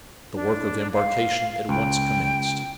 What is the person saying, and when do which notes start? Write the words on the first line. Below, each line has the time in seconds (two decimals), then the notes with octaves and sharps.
The work of embarkation at once commenced.
0.34 D4
0.92 F5
1.69 C#2 G5